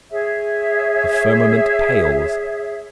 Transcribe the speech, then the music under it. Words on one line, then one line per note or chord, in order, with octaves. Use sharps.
The firmament pales.
G#4 C#5 E5